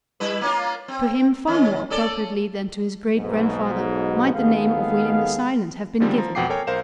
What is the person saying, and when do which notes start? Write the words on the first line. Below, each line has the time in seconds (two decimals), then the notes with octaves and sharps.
To him far more appropriately than to his great-grandfather might the name of William the Silent have been given.
0.20 G3 E4 B4
0.41 A#3 C#4 F4
0.88 C4
1.47 D#3 C#4
1.90 C#4 A4 D5
3.16 B1 G#2 B2
4.34 D#2 G#3 B3 G#4 A4 F5
6.00 D3 D#3 F3 G3 G#3 C4
6.17 F3 A#5
6.35 F2 B2 F#5 G5 D6 C7
6.49 A4 A#4 C#5 G5 G#5 A#5
6.67 B1 A#4 C5 F5 E7